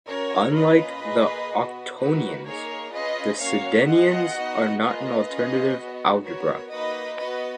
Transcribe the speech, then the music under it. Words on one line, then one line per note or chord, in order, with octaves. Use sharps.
Unlike the octonions, the sedenions are not an alternative algebra.
C#4 F#4 A#4 C#5
A#3 C#4 F4 B4 D#5
A#3 F4 G#4
B3 F#4
A#3 D#4 F#4 B4
A#3 D#4 G#4 A#4 C#5
C#4 F4 G#4 B4 D#5
A#3 C#4 F#4 C#5 F5
B3 F4 G#4 D#5 F#5
B3 D#4 F#4
A#3 F4 G#4 B4 D#5
C#4 F4 G#4
B3 F#4
B3 F#4 A#4 C#5
A#3 D#4 F#4 B4 D#5
B3 F#4 B4 D#5